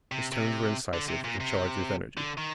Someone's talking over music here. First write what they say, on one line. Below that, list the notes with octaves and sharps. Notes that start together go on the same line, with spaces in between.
His tones were incisive and charged with energy.
C3
C3
D3
C3
A#2
C3
D3
D#3